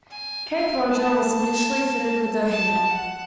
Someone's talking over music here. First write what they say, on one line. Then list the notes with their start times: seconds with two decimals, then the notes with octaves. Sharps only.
"Cape Roger" was initially fitted with a hangar.
0.11 G#5
0.90 A5
2.50 A5
2.90 F#5